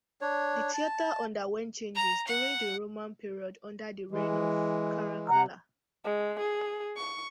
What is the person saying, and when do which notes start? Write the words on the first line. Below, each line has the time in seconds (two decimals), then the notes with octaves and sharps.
The theater underwent changes during the Roman period under the reign of Caracalla.
0.21 D4 C#5
0.73 A5
1.95 A#5
2.27 F#5
4.11 E3 G#3
5.28 C3 F#5 A#5
6.04 G#3
6.39 G#4
6.96 C#6